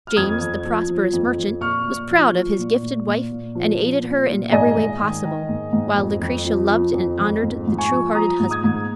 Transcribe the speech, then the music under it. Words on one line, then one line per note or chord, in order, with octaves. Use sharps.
James, the prosperous merchant, was proud of his gifted wife, and aided her in every way possible; while Lucretia loved and honored the true-hearted husband.
F6
F2 D#6 G#6
F2
F3
F3
F2
F2
A#2 C#6 F6
A#2
F3
F3
A#2
A#2
A#2
A#2
F3
F3
A#2
A#2
G#2 D#5 G#5
G#2
D#3
D#3
G#2
G#2
F2
F2
F3
F3
F2
F2
G#2
G#2
G#5 C#6
F3
F3 A#5 D#6
G#2
D#6 G#6
G#2